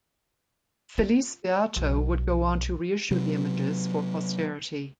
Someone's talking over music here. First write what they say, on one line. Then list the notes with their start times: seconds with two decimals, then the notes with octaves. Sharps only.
Felice Beato would go on to reissue the images for posterity.
0.98 F4
1.76 B1
3.11 C3 F#3